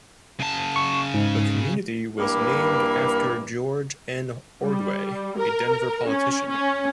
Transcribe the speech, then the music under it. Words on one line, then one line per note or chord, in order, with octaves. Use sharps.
The community was named after George N. Ordway, a Denver politician.
C#3 A5
C#6
G#2
G2 E3 A#3
G3
A#4
C#4
C#4